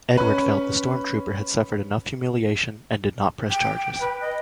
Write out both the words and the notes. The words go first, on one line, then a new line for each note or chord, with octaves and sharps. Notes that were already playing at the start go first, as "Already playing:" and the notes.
Edward felt the Storm Trooper had suffered enough humiliation and did not press charges.
C#4 B4 B5
G5
B4
D#5